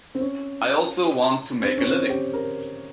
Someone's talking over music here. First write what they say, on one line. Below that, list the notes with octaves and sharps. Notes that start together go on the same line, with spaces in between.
I also want to make a living.
C4
C#4
C4
C#4
C4
G4
A#4